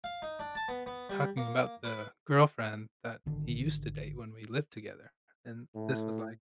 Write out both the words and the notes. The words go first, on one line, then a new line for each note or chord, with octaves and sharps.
talking about the girlfriend that he used to date when we lived together, and this was, like,
F5
D#4
D4
A5
B3
B3
G3
A#3
B4
G#1 D3 D#3
A2